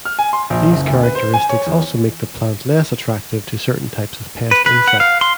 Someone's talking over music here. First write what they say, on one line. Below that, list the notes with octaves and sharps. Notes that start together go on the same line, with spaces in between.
These characteristics also make the plant less attractive to certain types of pest insects.
F6
G#5
C6
A#1
F#1
D2
B4
C5
G#5
C#5
E2
B4
B4
F#5
F5
C6